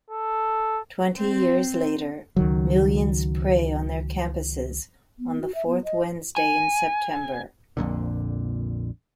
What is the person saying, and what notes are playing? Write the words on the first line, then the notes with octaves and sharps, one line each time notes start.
Twenty years later, millions pray on their campuses on the fourth Wednesday in September.
A4
C4
C#2 D#3 F#3
B3
F#4
E5
B3
D#5
G#5
A#1 F2 A#2 D3